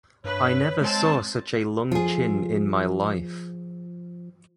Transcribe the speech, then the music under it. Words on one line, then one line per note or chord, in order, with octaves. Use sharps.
I never saw such a long chin in my life.
G2 B4 C#5
G#3 C4 A5
F3 F4 G#4